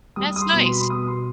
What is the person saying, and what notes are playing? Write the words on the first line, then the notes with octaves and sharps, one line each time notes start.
That's nice.
G3 D#6
D#6
C6
B2
C6
B5
C6
B2 D#6
C6